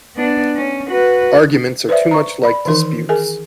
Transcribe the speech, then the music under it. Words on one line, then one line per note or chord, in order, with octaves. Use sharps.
Arguments are too much like disputes.
B3 D4
C#4
F#4 B4
B4 C5 D5 E5
A#5 C#6
D5 B5
D#3 E3 D#4 A#4
G#4 A#4 G#5